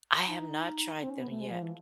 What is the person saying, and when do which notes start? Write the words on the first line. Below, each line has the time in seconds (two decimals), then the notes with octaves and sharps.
I have not tried them yet.
0.27 D#4
1.03 C4
1.10 C#4
1.20 B3
1.30 A3
1.41 G#3
1.51 F3
1.62 E3